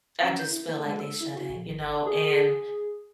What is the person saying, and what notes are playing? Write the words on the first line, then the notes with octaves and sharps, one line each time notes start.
I just feel like they shouldn't, you know, and
C#4
G6
E4
A#3
G#3
E6
E4
F#4
A#1
G1
G#4